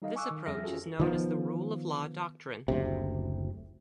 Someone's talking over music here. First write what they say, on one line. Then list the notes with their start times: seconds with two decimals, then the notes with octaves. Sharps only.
This approach is known as the Rule of Law doctrine.
0.02 G3 D#4 A4 D#5 F5
0.16 G#5 C#6 D6 E6 F#6
0.31 D#3
0.46 F2 G3 G#4 E5 F6 A#6
0.64 C#4 F4 F#4 G#4 A4
1.00 D#3 F3 B3
2.68 F#1 D2 C3